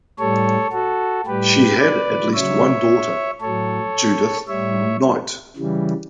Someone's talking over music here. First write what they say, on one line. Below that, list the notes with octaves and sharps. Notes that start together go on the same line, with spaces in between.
She had at least one daughter, Judyth Knight.
A2 G3 A4 C#5
F#4 A4
A2 G3 G4 B4
B4 D5
C#3 F#3 C#5 E5
A2 F#3 A4 C#5
A2 G3 C#5 E5
C#3 E3 G3